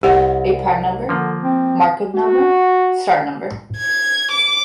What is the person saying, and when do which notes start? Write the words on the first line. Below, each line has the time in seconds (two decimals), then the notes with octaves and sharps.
A prime number, Markov number, star number.
0.03 C2 G4 F#5
1.09 D3 F3 A#3
1.43 C4
2.14 F#4
3.77 G#6
4.31 D6